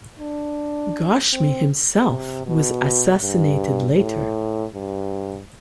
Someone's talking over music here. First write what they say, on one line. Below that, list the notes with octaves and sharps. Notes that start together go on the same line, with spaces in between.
Ghashmi himself was assassinated later.
D4
C4
C3
B2
G2
A2
G2